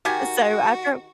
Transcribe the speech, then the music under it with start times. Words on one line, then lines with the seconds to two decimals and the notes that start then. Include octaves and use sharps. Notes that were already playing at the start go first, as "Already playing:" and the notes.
And so, after
0.05 D#3 F#4 G4 G#5